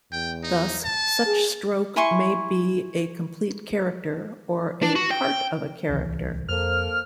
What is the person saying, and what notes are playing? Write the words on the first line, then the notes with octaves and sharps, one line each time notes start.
Thus, such stroke may be a complete character or a part of a character.
E2 G5
D#4
A5
G#4
E4 G#5 C6 C#6
D4
F#4
G5
D1 C2 E3
F2 A#3 A4 C5 F6